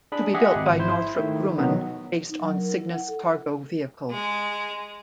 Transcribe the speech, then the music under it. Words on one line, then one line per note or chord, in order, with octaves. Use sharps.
To be built by Northrop Grumman based on Cygnus cargo vehicle.
D4 G#4 B5
G4 G#4 D#5 E5 F#5
G#1
E4 C5
D#3 A3 E4
B2 D#3 F#3 B3
D#4
F#3
A#4
E4
F#5
A4
G#3